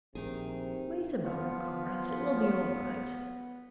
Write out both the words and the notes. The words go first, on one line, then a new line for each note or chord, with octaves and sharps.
'Wait a moment, comrades, it will be all right.
A#1 C3 D#3 C4 G#4
F3 B3 F4